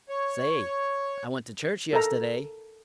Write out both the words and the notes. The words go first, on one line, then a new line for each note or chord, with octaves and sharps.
"Say, I went to church yesterday."
C#5
A4 A#4 A#5